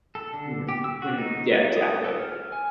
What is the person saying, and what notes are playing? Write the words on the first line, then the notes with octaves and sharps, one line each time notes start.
Mhm. Mhm. Yeah, exactly.
A4
D3
G4
E6
F#4
D#4
C#5
D#6
A4
F6
G#5